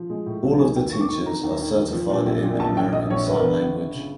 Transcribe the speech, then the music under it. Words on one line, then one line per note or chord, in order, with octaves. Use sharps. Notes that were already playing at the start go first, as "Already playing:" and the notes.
All of the teachers are certified in American sign language.
Already playing: F3
G#3
A2
B1
D#3 G#5
D#2 G5
D#2 C#6
D6
D#3 C#6
D#3 A#5
D#2
D#3
D#2
F3
A#2
A#1
A#2
A#1 A5
A#1 G5
A#1 D#5
A#1 C#5
G1 B4
A#4
G1 B4
G1
G1
C#3